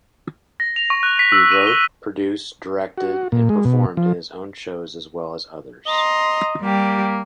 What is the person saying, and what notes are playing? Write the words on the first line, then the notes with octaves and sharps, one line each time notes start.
He wrote, produced, directed, and performed in his own shows as well as others.
A#6
F7
C#6
F#6
B6
E6
D#7
G7
F#4
A#2
G#3
B2
F3
D#5 A#5 C6
G3 A#3 G4